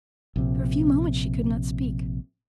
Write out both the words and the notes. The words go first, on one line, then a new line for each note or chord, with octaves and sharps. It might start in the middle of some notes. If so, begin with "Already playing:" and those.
For a few moments she could not speak.
A#1 C3